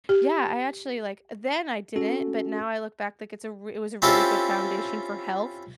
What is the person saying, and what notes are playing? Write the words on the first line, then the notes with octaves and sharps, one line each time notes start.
Yeah. I actually, like then I didn't, but now I look back, like, it's a r it was a really good foundation for health.
G4
C#4 F#4 A4
C4 C#4 E4 F4 G4 A4